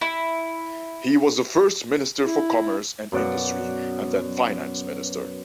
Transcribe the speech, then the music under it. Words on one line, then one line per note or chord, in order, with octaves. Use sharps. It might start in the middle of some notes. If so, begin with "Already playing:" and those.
He was the first Minister for Commerce and Industry and then Finance Minister.
E4
E4
F#2 B2 D5 F#5